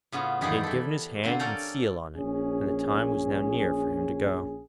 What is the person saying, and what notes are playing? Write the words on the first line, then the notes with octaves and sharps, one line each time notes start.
He had given his hand and seal on it, and the time was now near for him to go.
A2 C#3 B3 F4
F#2 D#3 E3 G4 G#4 D5
E3 A4
D3 A#3 C4
C#4 A4 A#4 D5 G5 A#5
A#1 C#4 G#4